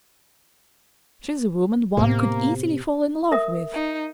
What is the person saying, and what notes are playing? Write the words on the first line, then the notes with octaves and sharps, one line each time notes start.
"She's a woman one could easily fall in love with."
A2 C3 A#3 B3
A#4 E5 D#6
D#4